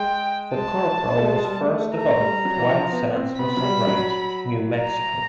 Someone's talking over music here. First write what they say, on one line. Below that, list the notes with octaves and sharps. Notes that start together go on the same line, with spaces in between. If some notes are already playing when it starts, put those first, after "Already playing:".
The Corporal was first developed at White Sands Missile Range, New Mexico.
Already playing: G#3 G5
G#3 A5
A3
G#3
G#3
G3
A3
A3
A3 A#5
G3
F#3
E3
F3
B3
B3
C4
B3 B5
F#3
G3
F#3
A#5